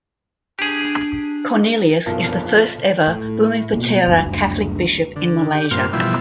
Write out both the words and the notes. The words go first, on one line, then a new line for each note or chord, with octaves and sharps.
Cornelius is the first ever bumiputera Catholic bishop in Malaysia.
D4 G4 G#4
B1 E2 B2 F3 F4 A#4
A#1 F2 C#3 F6
F4
A2
B2 A#3
F#1 D2 G2
D3
G4
G2 A#2 C4 F4 F6
B2 E3 F3 G3 E4